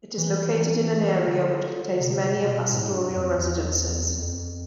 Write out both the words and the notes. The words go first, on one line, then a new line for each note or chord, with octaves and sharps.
It is located in an area which contains many ambassadorial residences.
E3
E3
D3
C3
B2
A2
G2
F2
E2
F2